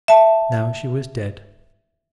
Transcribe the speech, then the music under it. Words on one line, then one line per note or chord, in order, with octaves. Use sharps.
Now she was dead.
E5 A5